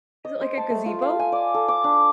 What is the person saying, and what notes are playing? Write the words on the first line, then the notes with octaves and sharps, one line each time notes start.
Is it like a gazebo?
D#5
C5
A5
A3
F4
F5
G#5
D5
A4
D6
D4